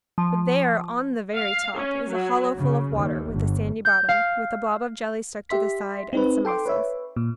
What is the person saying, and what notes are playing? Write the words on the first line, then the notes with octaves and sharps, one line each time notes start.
But there, on the very top, is a hollow full of water, with a sandy bottom; with a blob of jelly stuck to the side, and some mussels.
F3
F5
C#4
F#3
C#3
D#2
G1
G6
F5
G4 E5 C6 B6
C4 D#4 B4
A4 G5 C6 D6
B4 C#5 E5
A#2